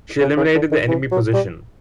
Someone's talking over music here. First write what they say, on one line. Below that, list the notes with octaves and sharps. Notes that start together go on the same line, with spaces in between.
She eliminated the enemy position.
C#3
C#3
D3
D#3
E3
F#3
G3